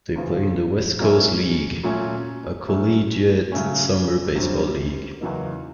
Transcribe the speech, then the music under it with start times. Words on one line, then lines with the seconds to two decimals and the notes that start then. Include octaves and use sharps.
They play in the West Coast League, a collegiate summer baseball league.
0.16 E2 C#3 F3
1.00 F#3 A#3 C#4 E4 A4
1.83 A#2 F#3 A3 C#4
2.68 F#3 A3 C#4
3.52 C#3 F#3 A3 C#4
4.36 F#2 D3 G3 C4
5.21 E2 C#3 F#3 A#3 D#4